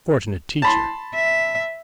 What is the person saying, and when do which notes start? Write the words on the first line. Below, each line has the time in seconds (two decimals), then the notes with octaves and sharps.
Fortunate teacher!
0.62 A5 B5 C6
1.16 E5